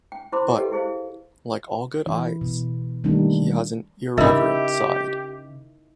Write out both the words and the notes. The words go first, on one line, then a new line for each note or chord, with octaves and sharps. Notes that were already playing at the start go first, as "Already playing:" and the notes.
But, like all good "eyes", he has an irreverent side.
G5
E4 C5 B5 C6 D6
G4 A4 B4 D#5 F#5 G5
E4 G#4 C5 D#5 F5
E3 E4
B2
D#3 G3 A3 A#3 D4 D#4
C#3 D#4 E4 G4 A#4 D#5 E5